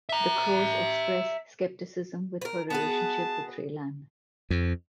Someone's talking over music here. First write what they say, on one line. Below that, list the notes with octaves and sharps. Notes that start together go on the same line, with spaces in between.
The Crowes express skepticism with her relationship with Raylan.
E5 A#5
A#4 B4
B3 F#4 G#4 A5
F2